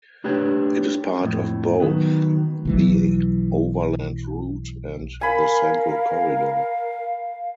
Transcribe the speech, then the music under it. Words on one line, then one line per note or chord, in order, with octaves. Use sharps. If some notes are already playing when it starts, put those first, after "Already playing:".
It is part of both the Overland Route and the Central Corridor.
A3 D4 G4 B4 C#5 G5
F2 A2
D#3 F#3 B3
B1 E3 F#3
A#4 F5 G#5 B5